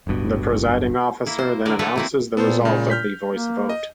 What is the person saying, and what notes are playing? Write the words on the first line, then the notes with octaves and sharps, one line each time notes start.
The presiding officer then announces the result of the voice vote.
D1 G1 G2 B2
A#3 E4
C5
D3 F#3 A#4 D5
A3 A4 B4 C#5 D5
A#3 C4 E4
A#2 B3 A4 C5
C#3 G#3
F6 G6 B6
A#3
D#5